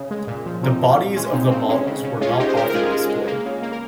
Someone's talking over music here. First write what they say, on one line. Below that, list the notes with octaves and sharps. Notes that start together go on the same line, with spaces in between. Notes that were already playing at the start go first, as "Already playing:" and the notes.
The bodies of the models were not often displayed.
Already playing: C#3
G#3
A#2
F3
F3 C4 D#4
A#2
A#2
G#3 C#4 F4
G#3 C4 D#4
C#3 C4
G#3 C#4
C#3
C#3
G#3 C#4 F4
G#3 D#4 G4
C5
C#3 G4 A#4
A#4
G#3 F4 G#4
G#3
G#3
A#3
C#3
A#3
A#4